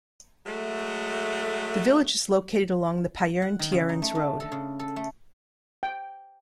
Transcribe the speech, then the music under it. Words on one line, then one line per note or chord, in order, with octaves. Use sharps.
The village is located along the Payerne-Thierrens road.
F#3 G#3 A3
F#5
D#3
C#3
D#4
A3
D4
A4
C#3
A4
A3
G5